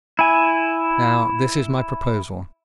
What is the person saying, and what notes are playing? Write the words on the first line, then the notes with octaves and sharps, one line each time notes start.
Now, this is my proposal.
E4 G#5